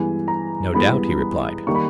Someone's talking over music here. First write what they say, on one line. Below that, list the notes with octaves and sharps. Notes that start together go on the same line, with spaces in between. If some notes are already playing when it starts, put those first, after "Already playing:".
No doubt, he replied.
Already playing: G2 E3 G#3 B3 G#5
A#5
G2 E3 G#3 B3 B5
D#3 G3 A#3 C#6
B5